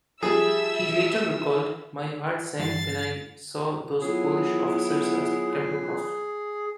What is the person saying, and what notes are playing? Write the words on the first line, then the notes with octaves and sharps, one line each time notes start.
He later recalled, My heart sank when I saw those Polish officers at Tempelhof.
F3 G3 G#4 E5 E6
G2 E3 A6 C7
F#3 B3 E4 F4 G#4 C#5